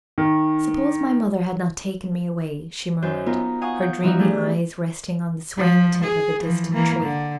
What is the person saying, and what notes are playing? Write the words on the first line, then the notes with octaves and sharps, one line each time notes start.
"Suppose my mother had not taken me away?" she murmured, her dreamy eyes resting on the swaying tip of a distant tree.
D#3
F#2 C5 G6
B3 D#4 F4 A#4
F5 F#5 G#5 C#6 D#6
G6
E3 F3 G3 D#4 F#4
A3 D4 G4 G#4
F3
G#4
E3 F3
E3 A#3
D3